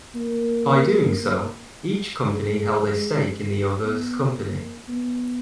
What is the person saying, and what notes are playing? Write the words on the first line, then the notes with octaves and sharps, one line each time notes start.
By doing so, each company held a stake in the other's company.
A#3
G#3
B3
A#3
B3